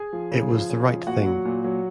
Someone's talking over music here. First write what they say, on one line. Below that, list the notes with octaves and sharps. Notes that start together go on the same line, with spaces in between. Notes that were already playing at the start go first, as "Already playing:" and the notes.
It was the right thing.
Already playing: G#4 G#5
F3
C#3
F3
C#3
F3
A#2 F#4 F#5
F#3
A#2
F#3